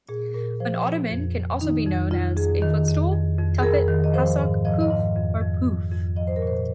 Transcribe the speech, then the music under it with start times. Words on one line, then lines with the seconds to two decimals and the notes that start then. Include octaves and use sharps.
An ottoman can also be known as a "footstool", "tuffet", "hassock", "pouf" or "pouffe".
0.09 A#2 G#4
0.34 A#2 A#4
0.60 F3 C5
0.86 F3
1.11 F2
1.36 F2
1.60 D#3 D#4
1.86 F2
2.11 F2 F4
2.37 F2 G#4
2.62 D#3
2.88 F2
3.13 F2
3.39 F2
3.59 G#4
3.63 F2 A#4
3.88 D#3
4.04 D#5
4.14 F3 C5
4.39 G#2
4.65 F3 D#5
4.81 D#5
4.90 G#2
5.15 F2
5.41 F2
5.66 F2
5.92 F2
6.16 F3 D#5
6.27 C5
6.36 A#4
6.42 A#2
6.47 C5